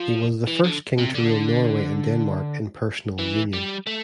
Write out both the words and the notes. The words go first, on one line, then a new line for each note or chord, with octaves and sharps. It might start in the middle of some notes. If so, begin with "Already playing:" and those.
He was the first king to rule Norway and Denmark in personal union.
Already playing: F3
E3
D3
C3
D3
E3
G3
A3